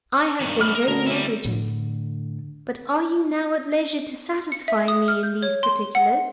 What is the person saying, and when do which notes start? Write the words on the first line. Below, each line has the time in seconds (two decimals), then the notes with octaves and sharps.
I have been very negligent--but are you now at leisure to satisfy me in these particulars?
0.40 G2 D#3
0.59 F#2 B5 D6 D#6 F6
0.75 A#4
0.88 D3 A3 F#4 A#4
1.07 G3 E4
1.45 A2 D3
4.52 C#7
4.68 E5
4.88 D#6
5.08 F6
5.23 G6
5.43 C#5
5.63 C6
5.95 F#5